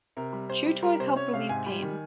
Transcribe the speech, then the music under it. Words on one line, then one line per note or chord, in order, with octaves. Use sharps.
Chew toys help relieve pain.
C3 A#4
G3
C3 C5
G3
G3 A#4
C3 C5
C#4 C#5
C3 F5
G#2 G#5
G3
D#3